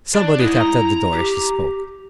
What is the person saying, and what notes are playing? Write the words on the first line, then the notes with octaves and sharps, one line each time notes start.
Somebody tapped at the door, as she spoke.
D4
G#2 E4 D#5
A#5
G4